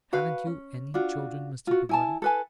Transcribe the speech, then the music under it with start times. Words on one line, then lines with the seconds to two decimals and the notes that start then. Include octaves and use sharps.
'Haven't you ANY children, Mr. Peggotty?'
0.13 F#4 B4 F5
0.47 C#4
0.94 D4 F4 F#4
1.67 F4 F#4
1.89 E4 G#5 A5
2.22 A4 B4 G#5